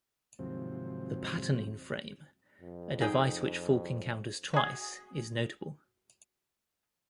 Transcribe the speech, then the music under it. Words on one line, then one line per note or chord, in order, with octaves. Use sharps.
The patterning frame, a device which Falk encounters twice, is notable.
D#2 G#2 C3 F3 F#3 C4
F2
D#4 G#4 G5
F#4 G#4